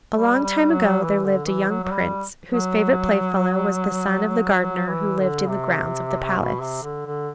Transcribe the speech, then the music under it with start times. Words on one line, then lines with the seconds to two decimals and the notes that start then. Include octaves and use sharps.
A long time ago there lived a young prince whose favourite playfellow was the son of the gardener who lived in the grounds of the palace.
0.13 G3
0.43 G3
0.72 F#3
1.02 E3
1.24 D3
1.47 E3
1.69 F#3
1.83 F#3
1.91 G3
2.51 F#3
4.59 F#3
4.89 E3
5.20 D3
5.49 C3
6.38 B2
6.61 C3
6.82 D3
7.05 D3